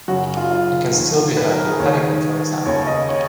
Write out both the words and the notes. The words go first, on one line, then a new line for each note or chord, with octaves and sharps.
It can still be heard, at Paddington for example.
F#2 C#3 F#4
F4
F4
D#2 D#3
B4
A#4
G#4
D#2 D#3 C#5
D#2 C#3 C#5
D#5
C#5